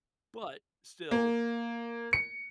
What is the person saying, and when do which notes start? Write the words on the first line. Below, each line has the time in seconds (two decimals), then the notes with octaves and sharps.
but still,
1.11 A#3
2.13 C#7